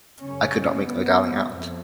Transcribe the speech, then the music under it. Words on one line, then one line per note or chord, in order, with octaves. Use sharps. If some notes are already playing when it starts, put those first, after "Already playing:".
I could not make my darling out.
F#2 C#3 C#4
B3
F2 F3